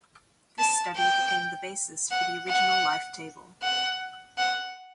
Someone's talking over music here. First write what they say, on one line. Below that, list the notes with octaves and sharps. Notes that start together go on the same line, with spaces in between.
This study became the basis for the original life table.
A5
G5
F#5
F#5
F#5
F#5